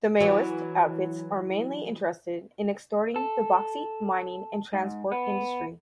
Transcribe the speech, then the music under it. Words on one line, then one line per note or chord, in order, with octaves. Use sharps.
The Maoist outfits are mainly interested in extorting the bauxite mining and transport industry.
E3 F#3
A4
G#2
B3